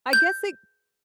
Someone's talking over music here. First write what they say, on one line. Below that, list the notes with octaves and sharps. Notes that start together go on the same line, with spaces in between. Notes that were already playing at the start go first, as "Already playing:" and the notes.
I guess it
G6